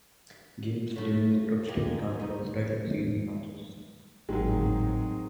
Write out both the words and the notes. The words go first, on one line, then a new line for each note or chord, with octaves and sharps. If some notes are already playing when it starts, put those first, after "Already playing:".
Games during the group stage counted as regular season matches.
A2 A3
F4
G#3 A#3 G4
G2 D#4
G#1 A2 D#3 F#3 G#3 C4